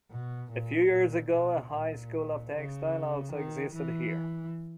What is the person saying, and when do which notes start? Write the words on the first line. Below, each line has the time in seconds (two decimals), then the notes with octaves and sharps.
A few years ago, a high school of textile also existed here.
0.11 B2
0.52 A#2
0.91 A#2
1.32 B2
1.73 A#2
2.52 C#3
3.33 D#3
3.74 E3